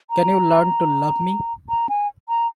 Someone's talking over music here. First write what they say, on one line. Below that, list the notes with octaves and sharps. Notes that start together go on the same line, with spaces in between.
Can you learn to love me?
A#5
A#5
G#5
A#5